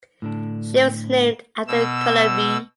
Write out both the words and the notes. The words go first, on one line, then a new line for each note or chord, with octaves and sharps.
She was named after Colombie.
A2 D3 D4
B2 E6